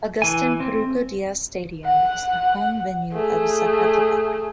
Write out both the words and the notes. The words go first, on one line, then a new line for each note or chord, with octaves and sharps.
Agustin "Coruco" Diaz stadium is the home venue of Zacatepec.
E3 G#5
C4
F#5
A3 G#4